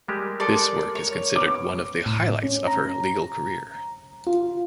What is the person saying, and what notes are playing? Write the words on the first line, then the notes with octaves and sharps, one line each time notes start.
This work is considered one the highlights of her legal career.
G3 G#3 G4 A#4
A4 D5 C6
C#5
B3 D6
A2
C#4
A#5
F4